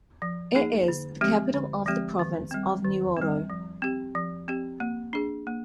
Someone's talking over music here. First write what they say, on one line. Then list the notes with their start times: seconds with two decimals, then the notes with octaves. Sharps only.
It is the capital of the province of Nuoro.
0.22 F3
0.55 A#3 D#4 G#4
0.88 D3
1.21 F3 G#3 C4 G4
1.54 D3
1.86 F3 G#3 C4 G4
2.19 D#3
2.51 G3 C4
2.85 D#3
3.17 C4
3.22 G3
3.50 F3
3.82 C4 G4
4.15 F3
4.48 C4 G4
4.80 A#3
5.13 D4 G#4
5.47 A#3